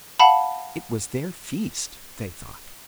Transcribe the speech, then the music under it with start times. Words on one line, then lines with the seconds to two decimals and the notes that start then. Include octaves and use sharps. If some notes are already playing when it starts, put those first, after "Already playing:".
It was their feast, they thought.
0.20 F5 F#5 A5 B5